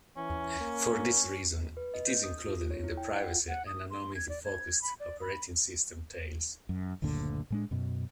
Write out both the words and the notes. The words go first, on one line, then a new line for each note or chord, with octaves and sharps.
For this reason it is included in the privacy- and anonymity-focused operating system Tails.
E3 C#4
A#3
B4
D#5
G6
D#6
F4
C#5
E4
G5
F#5
F4
F#5
D#6
C6
G#6
D5
G#6
B5
D5
B5
F#2
F#1 D2 A#2 D3
A2 G#3 D4
F#2 B2